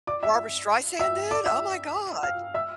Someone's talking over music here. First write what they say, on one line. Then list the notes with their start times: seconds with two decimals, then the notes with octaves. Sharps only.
Barbara Streisand did? Oh, my God.
0.07 D5 D6
0.23 E5 E6
0.99 E5 E6
1.31 D5 D6
1.46 E5 E6
2.23 F5 F6
2.54 E5 E6